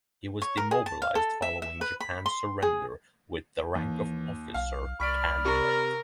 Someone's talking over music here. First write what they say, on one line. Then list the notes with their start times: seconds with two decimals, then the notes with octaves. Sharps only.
He was demobilised following Japan's surrender with the rank of officer candidate.
0.42 C#5
0.57 A#4
0.71 G#4
0.86 A5
1.02 F5
1.15 A4
1.42 E5
1.62 E5
1.81 B4
2.01 B5
2.26 C6
2.62 G#4
3.75 D#2 E3
4.54 B1 F5
5.00 C2 D5 B5 C#6 F6 B6 D7
5.45 C3 A#4 C#6